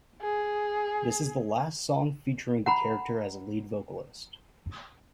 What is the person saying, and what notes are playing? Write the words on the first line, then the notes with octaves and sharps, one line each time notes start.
This is the last song featuring the character as a lead vocalist.
G#4
F#5 A#5 B5